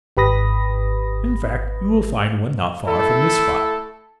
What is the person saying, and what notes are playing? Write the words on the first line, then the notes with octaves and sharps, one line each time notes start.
"In fact you'll find one not far from this spot."
G#1 G4 B4 B5 D#6 A#6
A3 E4 A4